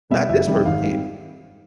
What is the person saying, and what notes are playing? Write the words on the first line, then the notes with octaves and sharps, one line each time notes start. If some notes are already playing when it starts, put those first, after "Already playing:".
Not this person here.
B2 G3 B3 E5
F#1 E5
F2 C3 D#3 G3
G#1 F5
G#2 D#3 G3 C4